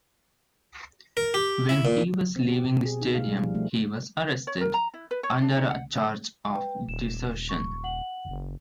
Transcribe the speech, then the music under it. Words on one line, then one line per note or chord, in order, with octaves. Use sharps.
When he was leaving the stadium he was arrested, under a charge of desertion.
A#4
G4
E4
A#2
C4
G4
B2
G#4
D#4
F5
G3
F3
A3
C#5
A#4
A#5
E4
B4
C#5
D4
D#4
F#5
B4 G5
D#1 E7
C#6
F#5 F#7
F#1